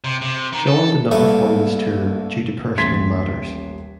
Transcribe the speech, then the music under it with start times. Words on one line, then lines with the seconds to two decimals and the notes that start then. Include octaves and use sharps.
John did not perform this tour due to personal matters.
0.04 C3
0.22 C3
0.53 D#3
0.67 A4
1.11 C2 A3 A#3 A4 B4 C#6
2.78 D#1 A1 C6 G#6 A6 B6